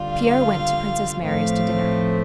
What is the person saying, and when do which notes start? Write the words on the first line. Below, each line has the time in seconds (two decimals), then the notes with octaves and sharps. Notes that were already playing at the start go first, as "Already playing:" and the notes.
Pierre went to Princess Mary's to dinner.
Already playing: D3 G3 F4
0.11 F5
1.25 A2 F3 A3 C4 F5